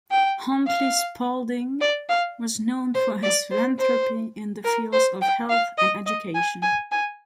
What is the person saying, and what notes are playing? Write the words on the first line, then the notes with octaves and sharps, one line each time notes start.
Huntley Spaulding was known for his philanthropy in the fields of health and education.
G5
F5
D5
F5
C5
D5
C5
C5
A#4
C5
G5
F5
D#5
D#5
G#5
G#5
G#5